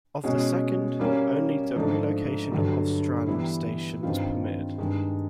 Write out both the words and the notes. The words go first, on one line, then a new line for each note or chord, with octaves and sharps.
Of the second, only the relocation of Strand station was permitted.
B2 G#3 C#4 F#4
G3 A#3 C#4
G#2 F3 A3 D4
G2 D3 F#3
E3 G3 B3 E4
G2 D#3 G3 C4 F4
G2 D#3 G#3